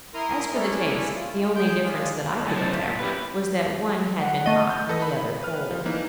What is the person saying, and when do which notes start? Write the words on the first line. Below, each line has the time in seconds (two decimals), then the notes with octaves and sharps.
As for the taste, the only difference that I could detect was that one had been hot and the other cold.
0.14 E4 A#4 A#5 C6 D#6
0.53 G#3 A3 C#4 D4 E4 A4
1.15 F4
1.32 A3
1.56 D#2 D3 G#4 G5 G6
1.84 G#3 D4 F4 G#4
2.29 C#5 B5
2.45 A2 F#3 C#5 D5 G#5 A5
2.57 C5 D5 D#5
2.73 E5 F5
2.88 A#2
2.99 C#4 E4 G4 B4
4.19 F#5
4.46 A3 D#5
4.70 G6
4.89 A4 B4 D#5
5.02 B5
5.43 B4 F6
5.71 F3
5.85 E3 A#3 D#4